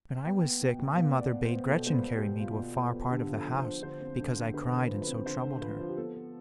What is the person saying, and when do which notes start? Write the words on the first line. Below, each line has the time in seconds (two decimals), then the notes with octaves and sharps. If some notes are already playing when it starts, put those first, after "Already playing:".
When I was sick my mother bade Gretchen carry me to a far part of the house, because I cried and so troubled her.
0.25 B3 G5
0.43 B3
0.61 B2
0.79 B2
0.96 B3 F5
1.15 B3
1.20 D5
1.32 B3
1.44 C5
1.50 B3
1.68 B2 A4
1.86 B3 C5
1.92 B4
2.04 B2
2.16 G4
2.22 B2
2.40 B2 F4
2.58 B2
2.76 B3
2.93 B3
3.11 D3 G4
3.29 F3
3.35 A4
3.46 F3
3.59 C5
3.65 D3
3.83 D3 C5
4.01 C4
4.19 D3
4.37 D3
4.54 D3 B4
4.72 D3
4.78 B4
4.90 F3
5.02 B4
5.07 C4
5.26 D3 C5
5.44 D3
5.61 F3 B4
5.79 F3 F4
5.89 G4
5.97 B3 A4
6.15 B3